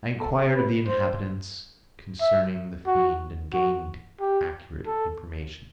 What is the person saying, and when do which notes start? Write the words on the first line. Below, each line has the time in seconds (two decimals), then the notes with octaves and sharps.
I inquired of the inhabitants concerning the fiend and gained accurate information.
0.21 A4
0.55 B4
0.88 C5
2.21 E5
2.87 F#4
3.54 F#4
4.20 G4
4.87 A4